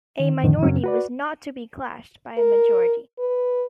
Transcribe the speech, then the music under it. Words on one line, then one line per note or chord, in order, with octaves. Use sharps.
A minority was not to be clashed by a majority.
D#3
F2 A2 D3 D#3 F3
F#2 C#3 F#3 C4 C#4
F#4 B4 D5
A#4
B4